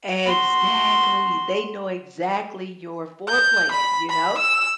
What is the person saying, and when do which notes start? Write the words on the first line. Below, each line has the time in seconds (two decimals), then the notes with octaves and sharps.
Exactly, they know exactly your floor plan, you know?
0.25 F#4 C6
3.28 G6
3.72 B5
4.09 B5
4.38 E6